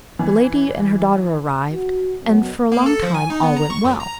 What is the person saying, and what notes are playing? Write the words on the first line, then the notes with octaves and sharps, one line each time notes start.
The lady and her daughter arrived, and for a long time all went well.
E3
F#4
F#2 B2
A#3
A4
F3
G#5
D#4
B3
A#5
C#6
F#2
A#5